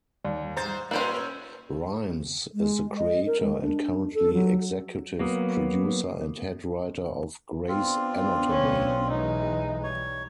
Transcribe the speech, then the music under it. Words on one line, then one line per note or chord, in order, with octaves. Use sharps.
Rhimes is the creator and currently executive producer and head writer of "Grey's Anatomy".
D#2 G3
G#2 C5 A#5 A6
A#2 A#3 C#4 G4 B4 C5 B5
G#3
D#5
A#4
G#3
D4
A4
F#3
F#3 A#3 B3
B3 C4 D4 F4
B1 C#4
E3 G#3 D#4
G3 C#5